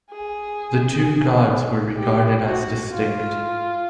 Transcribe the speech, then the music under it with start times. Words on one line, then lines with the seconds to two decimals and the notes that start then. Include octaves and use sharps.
The two gods were regarded as distinct.
0.10 G#4
1.98 G4
2.45 F#4
2.92 F4